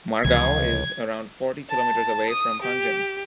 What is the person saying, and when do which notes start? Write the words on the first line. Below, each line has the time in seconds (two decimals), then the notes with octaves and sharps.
Margao is around forty kilometres away from Panjim.
0.25 C#2 C3 E3 F3 G#6
1.70 A5
2.31 D#6
2.62 G4